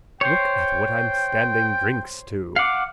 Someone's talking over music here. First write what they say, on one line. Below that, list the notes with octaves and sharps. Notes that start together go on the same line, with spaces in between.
Look at what I'm standing drinks to!
C5 C#5 G5
F5 F#5 D6